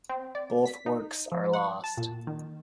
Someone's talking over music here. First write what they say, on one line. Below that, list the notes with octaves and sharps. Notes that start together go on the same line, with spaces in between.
Both works are lost.
C4
D5
B6
D#4
F3
F#5
A5
A#2
D#3